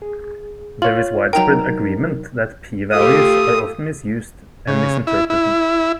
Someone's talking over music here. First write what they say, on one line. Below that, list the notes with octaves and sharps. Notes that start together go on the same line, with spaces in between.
There is widespread agreement that "p"-values are often misused and misinterpreted.
G#4
F4 C#5 F#7
F#3 D#4 A#4 G5 A#5
A3 F4 G4 A4 D#6
C#3
E4
E4